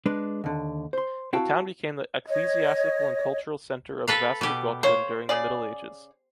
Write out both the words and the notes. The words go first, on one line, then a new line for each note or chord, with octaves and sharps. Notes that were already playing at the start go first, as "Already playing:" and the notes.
The town became the ecclesiastical and cultural center of Västergötland during the Middle Ages.
G#3 D4 B4
D#2 D3
C5 C6
C4 E4 F#4 F5 G5 A5
C#5 D#5
A4 B4 F5
B2 G4
A#3 C5 C#5
C#3 G#4 D5